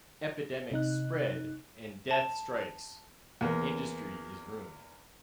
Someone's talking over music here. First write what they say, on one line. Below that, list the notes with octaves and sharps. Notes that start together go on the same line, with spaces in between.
Epidemics spread and death strikes-industry is ruined.
C3 D#4 F#6
A5
E2 A#3